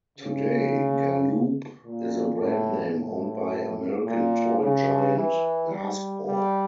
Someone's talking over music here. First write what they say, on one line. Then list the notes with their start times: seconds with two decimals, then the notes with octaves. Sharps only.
Today Galoob is a brand name owned by American toy giant Hasbro.
0.18 C#3
1.85 A#2
2.40 A2
2.96 A2
4.06 A#2
4.61 C#3
5.16 E3
5.71 G3
6.27 G3